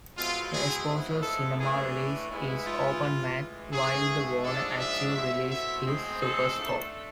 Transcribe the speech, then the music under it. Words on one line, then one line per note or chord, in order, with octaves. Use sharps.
The Exposure Cinema release is open-matte, while the Warner Archive release is in Superscope.
B2 G#3 C4 E4 F4
G#4
A2 F3 G#3 B3 E4
A4
A2 E3 A3 D4 G#4
G#2 G#3 B3 E4
F4
A2 E3 G#3
G#2 E3 A3 G#4
G#2 F3 G#3 D4 A4
E5
B2 A3 C4 E4 E5
E5
A2 F3 G#3 C4
A4
D3 A3 D4